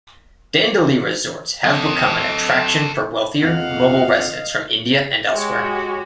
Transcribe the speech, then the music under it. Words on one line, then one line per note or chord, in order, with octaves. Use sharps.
Dandeli resorts have become an attraction for wealthier, mobile residents from India and elsewhere.
A4 D#5
F2 D#5 F5 F#5
G#3 F#4 G4 C#5